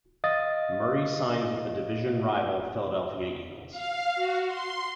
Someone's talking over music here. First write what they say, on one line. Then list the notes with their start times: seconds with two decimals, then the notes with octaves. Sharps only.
Murray signed with the division rival Philadelphia Eagles.
0.24 D#5 F5 D#6 A6
3.71 F5
4.15 F#4
4.46 C6